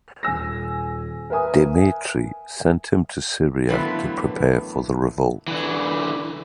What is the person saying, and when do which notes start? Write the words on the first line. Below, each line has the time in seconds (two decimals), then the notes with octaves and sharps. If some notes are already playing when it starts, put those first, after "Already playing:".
Demetri sent him to Syria to prepare for the revolt.
0.23 D#1 G#5 E6 A#6
1.30 A#4 B4 E5 G#5 D#6
3.69 A2 D3 E3 F#3 A#3 B3
5.48 D3 E3